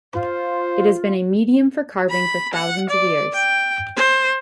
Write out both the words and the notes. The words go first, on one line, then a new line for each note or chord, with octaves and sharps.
It has been a medium for carving for thousands of years.
F4 C5
B5
F#5
D5
G5
C5